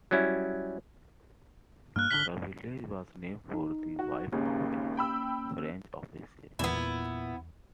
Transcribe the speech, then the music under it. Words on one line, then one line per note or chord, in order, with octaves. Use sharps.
The village was named for the wife of a French official.
F#3 G3 C#4 E4
G2 A#3 F6 F#6
G#1 B2 D3 B6 F#7 G7
D#4
F#4
G#1 D#2 C#3 A#3 C#4
G5 B5 E6
E2 A#2 B3 E4